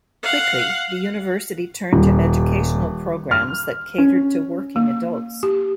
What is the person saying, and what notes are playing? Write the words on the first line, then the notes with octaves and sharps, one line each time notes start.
Quickly, the university turned to educational programs that catered to working adults.
F5 F#5
D#1
F6
C#4
A#3
G4